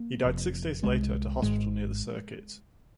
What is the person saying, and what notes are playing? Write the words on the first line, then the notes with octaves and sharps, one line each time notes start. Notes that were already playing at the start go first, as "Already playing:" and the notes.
He died six days later at a hospital near the circuit.
Already playing: A#3
F1 F2 C3
C2 C3 G#3
G#1 G#2 G#3